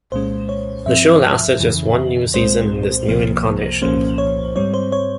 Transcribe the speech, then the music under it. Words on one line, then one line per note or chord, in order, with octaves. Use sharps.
The show lasted just one season in this new incarnation.
C2 A#2 G#3 C#4 C5
C#5
G2 F3 C4 E5
F2 C#3 E3
C2 A#2 G#3 C4 C5
C2 C3 F3 A#3
C2 A#2 F3 A#3 C#4 C5
C#5
G#2 G3 C4 C#5
C5
C#5